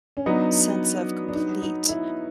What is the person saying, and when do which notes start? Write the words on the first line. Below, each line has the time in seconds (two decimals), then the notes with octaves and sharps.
sense of complete
0.17 C#4
0.26 F#3 B3 D4 D#4
1.29 D4
1.35 D#4
1.62 D#4
1.89 E4